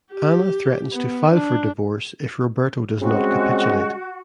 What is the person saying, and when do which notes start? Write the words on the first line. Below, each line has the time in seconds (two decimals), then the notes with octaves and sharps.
Anna threatens to file for divorce if Roberto does not capitulate.
0.12 G4
0.92 B3
1.32 D4
3.02 C#3 G3 G#3 C4 F#4